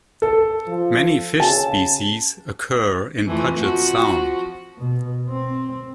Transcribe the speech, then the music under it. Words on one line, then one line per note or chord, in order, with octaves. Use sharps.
Many fish species occur in Puget Sound.
A4
F3
C#3 A5
F2 E3 A3
F3 F#4
B2
C4